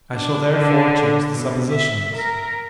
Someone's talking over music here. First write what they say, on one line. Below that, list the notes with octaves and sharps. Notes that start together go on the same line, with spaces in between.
I shall therefore change the suppositions.
D4
D3
B2
E5
A#4